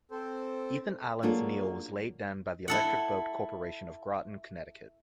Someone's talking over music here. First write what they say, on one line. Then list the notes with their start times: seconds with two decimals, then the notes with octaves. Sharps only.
"Ethan Allen"s keel was laid down by the Electric Boat Corporation of Groton, Connecticut.
0.11 C4 A4 C5
1.23 F#3 A#3 D4 F4 G#4 A4
2.68 E4 A4 F#5